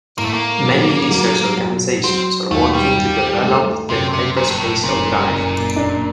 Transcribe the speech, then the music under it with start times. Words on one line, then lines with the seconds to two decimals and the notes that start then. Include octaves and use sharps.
Many research organizations are working to develop the hyperspatial drive.
0.18 A2 A#3
0.25 A3
0.34 A#3
0.64 F#3
1.10 F#3
1.58 F#3
2.03 F#3 C4
2.51 D#2 A3
2.74 G3
2.97 D#2
3.44 A3
3.90 F#2 C3
4.13 C3
4.37 F#1 A#2
4.50 G2
4.60 A2
4.83 F#1 A#2
5.30 F#1
5.76 D4